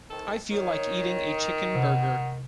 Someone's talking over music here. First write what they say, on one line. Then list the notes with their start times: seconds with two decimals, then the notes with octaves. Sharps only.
I feel like eating a chicken burger.
0.10 D#3 C4 A4
0.51 D#3 C#5
1.75 C3 F#5